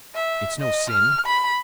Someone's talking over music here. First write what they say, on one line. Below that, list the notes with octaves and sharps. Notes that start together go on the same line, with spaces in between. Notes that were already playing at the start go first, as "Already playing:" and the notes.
It's no sin.
E5
D#5
F6
B5